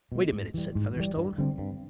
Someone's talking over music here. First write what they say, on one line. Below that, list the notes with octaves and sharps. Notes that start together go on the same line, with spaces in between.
"Wait a minute," said Featherstone.
B2 G#3
G#2
E3 G3
G#2
E3 G3
G2
D3 G3 C4
G2